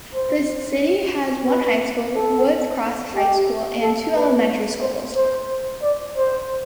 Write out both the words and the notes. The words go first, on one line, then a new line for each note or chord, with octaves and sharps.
The city has one high school, Woods Cross High School, and two elementary schools.
C5
B4
A4
G4
A4
B4
C5
C5
D5
C5